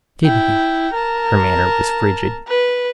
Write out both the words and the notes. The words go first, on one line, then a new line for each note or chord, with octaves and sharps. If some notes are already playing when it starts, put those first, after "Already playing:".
"Did he?" Her manner was frigid.
E4 G5
A#4 A5
B4